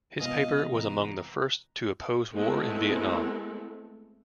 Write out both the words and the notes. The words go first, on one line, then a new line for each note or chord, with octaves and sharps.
His paper was among the first to oppose war in Vietnam.
C3 G#3 B3 F4 D#5 F5 G#5 D#6
E3 B4 A#5
G#3 A3 B3 C4 E4 A4